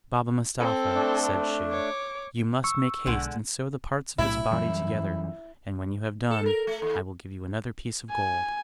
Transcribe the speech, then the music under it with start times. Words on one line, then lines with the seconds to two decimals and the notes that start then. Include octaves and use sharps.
"Baba Mustapha," said she, "you must make haste and sew the parts of this body together; and when you have done, I will give you another piece of gold."
0.60 C4 A4
0.95 A3 D4
1.71 C#5 D6
2.64 C#6 E6
3.06 B1 D3 G#3 F#5
4.18 B1 A2 C3 E4
4.51 F#2 E3 G3
6.31 A4
6.46 A#4
6.67 A3
6.82 D#2
8.11 G#5